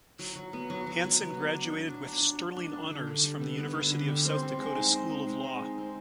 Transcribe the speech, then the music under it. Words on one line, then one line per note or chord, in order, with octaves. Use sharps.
Hansen graduated with "Sterling Honors" from the University of South Dakota School of Law.
F#3
F#3
B3
F#3
F#3
F#3
B3
B3
D4
D4
F#3
D4
F#3
D4
D4
D4
D3
D3
G3
B3
B3
D3
D3
G3
C4
C4
G#3
D#4
C4
D#4
G#3
G#3
D#4
C4